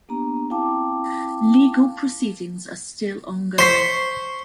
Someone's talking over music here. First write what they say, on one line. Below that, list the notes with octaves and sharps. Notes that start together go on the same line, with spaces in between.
Legal proceedings are still ongoing.
A#3 B3 D4 G4 A#5
C4 E4 F5 G5 A5 D6
C5 C#6 B6 C7